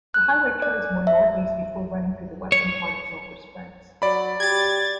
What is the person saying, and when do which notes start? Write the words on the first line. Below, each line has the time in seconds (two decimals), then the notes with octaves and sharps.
The highway turns more northeast before running through the western part of Sulphur Springs.
0.14 F#6
0.62 D5
1.07 E5
2.52 C#5
4.02 F#3 D5 B5
4.40 G4 G#6 A6